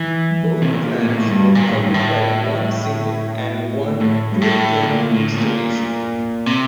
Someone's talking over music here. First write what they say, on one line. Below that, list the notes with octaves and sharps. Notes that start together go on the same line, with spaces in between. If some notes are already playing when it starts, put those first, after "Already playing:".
Both flanks were covered by one single and one twin gun installation.
Already playing: E3
C3
A#2
A2
A#2
A2
G2
A#2
A2
G2
A2
A2
G2
A2
A#2
A2
A#2
C3